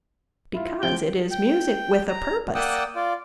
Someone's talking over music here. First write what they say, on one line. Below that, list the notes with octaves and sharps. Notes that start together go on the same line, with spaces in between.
"Because it is music with a purpose."
E4 F4
C3 F3 G5
G5
A#5
A#3 D5 F#5 G5 D#6 E6
F4 D5